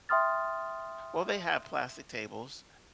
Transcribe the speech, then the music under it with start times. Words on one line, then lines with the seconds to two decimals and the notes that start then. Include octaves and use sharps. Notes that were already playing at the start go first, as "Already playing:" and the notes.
Well, they have plastic tables,
0.09 E5 G5 C6 D#6 F6 A6